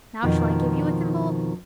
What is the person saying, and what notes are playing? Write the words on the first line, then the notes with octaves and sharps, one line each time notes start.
"Now shall I give you a thimble?"
F2 B2 D#3 F3